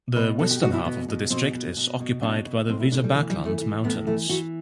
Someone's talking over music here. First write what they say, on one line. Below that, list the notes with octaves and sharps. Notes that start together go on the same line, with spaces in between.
The western half of the district is occupied by the Weserbergland mountains.
B2 B4
B2 A4
G4
B2 F#4
E4
B2 B3
B2
B2 C4
B2
B2
B2
B2 D4
B2
A2 C4
E4
A2 D4
G3
E3 A3
G3
E3
A3
E3
A2 B3
E3 A3
E3 F#4